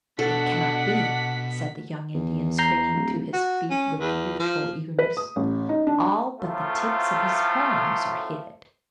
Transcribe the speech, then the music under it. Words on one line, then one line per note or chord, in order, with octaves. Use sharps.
"It cannot be!" said the young Indian, springing to his feet with youthful eagerness; "all but the tips of his horns are hid!"
B2 D4 A4 F#5 B6
E2
A#5 G6 C7
D1
F#4
C#4
E2
F3
B4
D#6
A1
D#4
D4
F#2 A2 F3 A3 F4